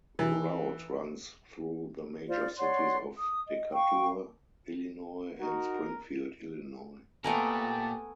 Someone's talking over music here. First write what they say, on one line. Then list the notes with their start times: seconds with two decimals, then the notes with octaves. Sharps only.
The route runs through the major cities of Decatur, Illinois and Springfield, Illinois.
0.19 E3
2.27 F4 C5 D5
2.59 C#5 D5 F#5 C6
3.18 D#6
3.46 D#5
3.73 F5 G5 C#6
5.39 D#4 F#4 A#4
7.24 A#2 A3 B3 G4 A#4 G#5 A5